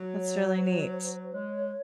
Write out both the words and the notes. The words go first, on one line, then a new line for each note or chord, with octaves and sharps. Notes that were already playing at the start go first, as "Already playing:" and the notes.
that's really neat.
Already playing: F#3
C#5
C5
G#3 C#5